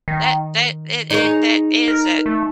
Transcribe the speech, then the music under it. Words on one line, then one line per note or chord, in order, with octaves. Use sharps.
That that it it that is that
D#3
D#4 G#4 C#5
A#4
A3